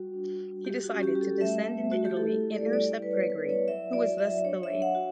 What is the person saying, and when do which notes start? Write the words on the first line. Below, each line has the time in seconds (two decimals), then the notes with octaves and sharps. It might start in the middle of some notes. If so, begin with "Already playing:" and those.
He decided to descend into Italy and intercept Gregory, who was thus delayed.
Already playing: G3 F#4
0.14 D4
0.40 G3
0.65 G3 G4
0.84 F#4
0.90 C#4
1.03 G4
1.15 G3 G4
1.21 A4
1.41 A3 E5
1.66 A3
1.91 A3 F#4
2.05 G4
2.17 E4 A4
2.42 E4
2.54 D5
2.66 G3
2.73 D5
2.92 E4 D5
3.02 B4
3.11 C#5
3.18 B3
3.30 B4
3.43 E4
3.49 C#5
3.68 F#3 E5
3.93 F#4 D5
4.18 F#3 E5
4.43 D4 C#5
4.63 E5
4.69 D4
4.82 F#5
4.95 F#4